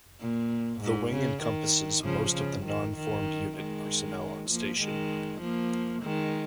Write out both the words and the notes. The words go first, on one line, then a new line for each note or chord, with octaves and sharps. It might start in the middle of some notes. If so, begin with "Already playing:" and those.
The wing encompasses most of the non-formed unit personnel on station.
A#2
G#2
C#3
D#3
C#3 F3
C#3
D#3
D#3
D#3 G#3
F3 A#3
D#3 G#3
F3 A#3
D#3 G#3